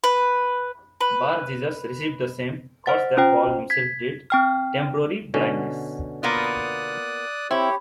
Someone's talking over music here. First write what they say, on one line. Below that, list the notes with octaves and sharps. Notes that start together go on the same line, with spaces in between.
Bar-Jesus received the same curse that Paul himself did: temporary blindness.
B4
B4
C5 F#5 A6
C#4 F4 C5 G5
G#6 B6
C4 G5 F6
B2 D3 C#4
A#3 B3 F4 D5 D#6 F#6
C4 E4 G4 C#5